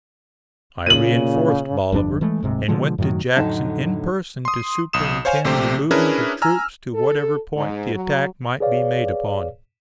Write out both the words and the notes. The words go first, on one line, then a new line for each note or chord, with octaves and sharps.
I reinforced Bolivar, and went to Jackson in person to superintend the movement of troops to whatever point the attack might be made upon.
A#2 C#3 D#7 F#7
G1 F2 C3 D4
E3 G#3 A3
D1 G#2 C3
B2 D3 F3 G#3
F#2 A2 D#3 F#3
F2 A2 D3 F#3 D#4 A5
C6 D#6
B1 D#6 E7
C5 C#5 F5 G#5
A#1 C3 A3 G4 C5
C#4 D4 E4 G#4 A#4 B4
G#5 A#5 E6 F6
A4
G#2
F#3
G#4 B4 C#5 D5 F5